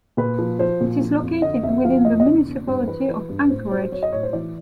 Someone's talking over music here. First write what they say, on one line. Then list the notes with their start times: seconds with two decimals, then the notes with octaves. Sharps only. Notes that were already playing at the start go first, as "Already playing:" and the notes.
It is located within the Municipality of Anchorage.
0.17 A#2 B4
0.39 F3
0.59 F3 C5
0.81 A#2
1.01 F3
1.22 F2
1.42 D3 D#5
1.63 F2 E5
1.84 F3 F5
2.05 E2 D#5
2.20 D#5
2.26 C#3 D5
2.47 E2
2.67 G2 C5
2.88 E3 B4
3.08 E3 B4
3.29 G2
3.50 A2 C5
3.71 F#3 C5
3.92 F#3 C#5
4.03 D#5
4.12 A2 C#5
4.23 C5
4.33 E3 D5